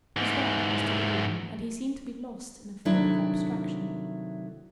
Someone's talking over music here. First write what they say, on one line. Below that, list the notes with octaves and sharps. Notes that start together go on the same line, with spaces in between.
His back was to the room and he seemed to be lost in a fit of abstraction.
G#2 E3
C3 D#3 F#3 A3 D4 E4